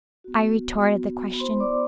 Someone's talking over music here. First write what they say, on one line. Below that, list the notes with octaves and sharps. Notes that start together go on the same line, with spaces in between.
I retorted the question.
B3 F#4
B3 F#4
B5
B3 E4 C5 C6
D5 D6